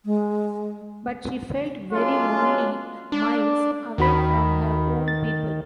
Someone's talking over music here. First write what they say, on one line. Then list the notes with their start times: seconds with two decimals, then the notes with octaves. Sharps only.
But she felt very lonely, miles away from her own people.
0.05 G#3
1.93 F#3 G#3 C#4 D4 F4
3.12 D4
3.98 D#2 D#3 F#4 B5
5.08 A6